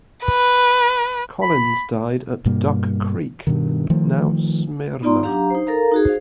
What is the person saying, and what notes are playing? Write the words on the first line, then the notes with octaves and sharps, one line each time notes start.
Collins died at Duck Creek, now Smyrna.
B4
B5
G2 B2 G3 A#3
G2 B2 D#3
D#3 F3 A3
B3 D#4 F4 D5 A#5 C6
F#3 D4 G4 F5 A#5
D#4 C5
A4 A#4 F5 A#5
D#4 F#4 G#4
C5 F5